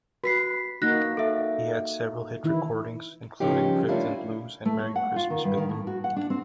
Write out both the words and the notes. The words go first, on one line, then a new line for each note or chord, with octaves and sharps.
He had several hit recordings, including "Driftin' Blues" and "Merry Christmas Baby".
F#4 B4 B6 C7
A#3 D#4 F#4 F#6 A#6
A4 E5
D#3 E3 E4
G2 C#3 F3 C#4 D#4 G4
A3 A#3 C#4 D4 E4 F4
A3
C#5
F#5
F4
D#3
G2
D#3
A2
F#4
F#5
D4
C4